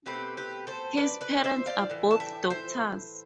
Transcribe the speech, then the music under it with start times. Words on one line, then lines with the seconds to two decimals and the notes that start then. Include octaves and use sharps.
His parents are both doctors.
0.06 B2 A3 C4 G4 B4
0.37 G4 B4
0.67 A4 C5
0.97 B4 D5
1.21 B4 D5
1.44 C5 E5
1.66 D5 F5
1.90 A2 E3
2.11 A5
2.20 E5 G5
2.50 C5 E5